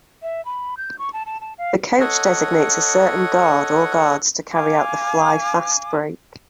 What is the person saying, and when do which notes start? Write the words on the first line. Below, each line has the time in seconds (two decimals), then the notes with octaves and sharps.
The coach designates a certain guard or guards to carry out the Fly fastbreak.
0.22 E5
0.45 B5
0.77 G6
0.98 C#6
1.13 A5
1.26 A5
1.41 A5
1.58 F5
2.00 A4 C#5 D#5 F#5
4.52 F5 G#5 D6